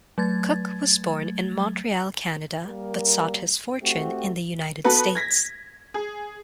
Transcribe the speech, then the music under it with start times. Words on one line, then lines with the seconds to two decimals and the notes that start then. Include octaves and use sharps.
Cooke was born in Montreal, Canada, but sought his fortune in the United States.
0.18 F#3 A3 G#6 A6
2.67 G3 A#3 A#4
3.82 A3 C4 F#4 G4
4.84 B3 F#4 A4 B4
5.15 G#6 A#6 B6
5.94 G#4